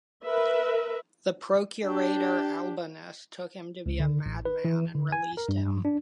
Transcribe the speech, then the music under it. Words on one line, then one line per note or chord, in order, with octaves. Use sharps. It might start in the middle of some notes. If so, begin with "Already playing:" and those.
The procurator Albinus took him to be a madman and released him.
A#4 B4 E5
D4 G4
C#2
D3
A1
B4
E3
D3
G#5
A#4
G2
D4